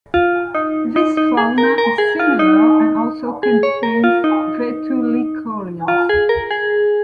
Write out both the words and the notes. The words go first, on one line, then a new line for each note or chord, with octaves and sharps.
This fauna is similar and also contains vetulicolians.
F4
D#4
D#4
D#4
G#4
A#4
A#4
G#4
F4
D#4
G#4
C#5
A#4
F4
D#4
F4
G#4
A#4
G#4